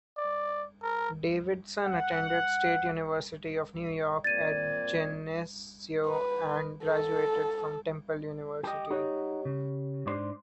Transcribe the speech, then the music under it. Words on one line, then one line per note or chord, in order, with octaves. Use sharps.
Davidson attended State University of New York at Geneseo and graduated from Temple University.
D5
A#4
F#5
A#2 C4 D5 G#6 A6 D#7
B4
A4
G4 D#5
D#4 F#4 G4 C#5
C#3
G#2 D4 C5